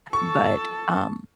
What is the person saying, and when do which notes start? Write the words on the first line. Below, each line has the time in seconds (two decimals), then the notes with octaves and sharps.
but, um,
0.13 A4 A5 C#6